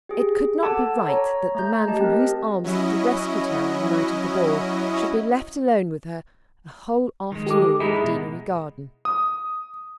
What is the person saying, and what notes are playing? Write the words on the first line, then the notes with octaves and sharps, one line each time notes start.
It could not be right that the man from whose arms he had rescued her on the night of the ball should be left alone with her a whole afternoon in the Deanery Garden!
G4 G#4
A4 F#5 A5 D6 G#6
C#5 A#5
A3 A#5 G6
G4 D#5 A5
C4 G4 A#4
F#3 C#4 E4 D#5
D#3 G#3
G4 A4 D6
G#3 D#4 E4 G#4
B2 G#3
D#6